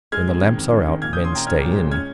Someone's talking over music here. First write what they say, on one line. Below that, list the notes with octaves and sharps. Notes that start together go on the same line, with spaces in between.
When the lamps are out men stay in.
G#3 F6 G#6
F2
D#3
F2
D#3
D#3
A#2 F6 G#6
D#6 G6
C#4
C6 D#6
A#2 G5 A#5
C#4 F6 G#6
A#2
G#3
C#4 F6 G#6